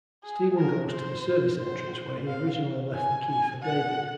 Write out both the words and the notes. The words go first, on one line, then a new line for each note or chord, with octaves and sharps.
Steven goes to the service entrance where he originally left the key for David.
G#4
A#4
C5
C5
F5
G#5
G#5
F#5